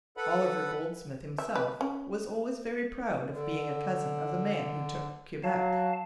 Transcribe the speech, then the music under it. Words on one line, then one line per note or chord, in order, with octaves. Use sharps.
Oliver Goldsmith himself was always very proud of being a cousin of the man who took Quebec.
A4 B4 F#5 B5
E5
B4
C#4
D3
F#3 F5 A5